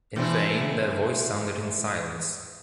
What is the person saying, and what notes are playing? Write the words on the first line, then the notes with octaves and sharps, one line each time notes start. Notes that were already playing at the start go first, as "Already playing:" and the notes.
In vain their voice sounded in silence.
E3 C4 D4